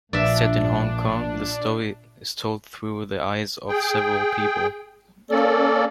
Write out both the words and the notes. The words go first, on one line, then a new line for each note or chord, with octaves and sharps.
Set in Hong Kong, the story is told through the eyes of several people.
A#1 A#2 D4 D5 E5
G#4 G5
A#3 C#4 A4 D5